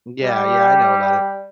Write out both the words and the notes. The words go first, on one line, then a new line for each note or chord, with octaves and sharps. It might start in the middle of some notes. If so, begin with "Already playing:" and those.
Yeah, yeah, I know about it.
G3